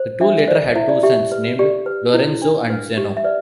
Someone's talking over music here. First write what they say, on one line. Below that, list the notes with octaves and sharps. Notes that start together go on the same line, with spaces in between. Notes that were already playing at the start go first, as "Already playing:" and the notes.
The two later had two sons named Lorenzo and Zeno.
Already playing: C5
D4 E5
C5 D5
E4 E5
D5
G4 E5
B4
G4 D5
B4
E4
D4
B4
G4
E5
B4 D5